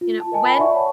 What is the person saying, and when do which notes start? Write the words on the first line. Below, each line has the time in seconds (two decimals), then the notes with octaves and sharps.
you know, when
0.01 F4
0.20 A5
0.32 A#4 D#5 G#5 A5
0.45 B5
0.59 D5 E5 F#5 C#6
0.74 A#4 C#5 F#5 G5 A5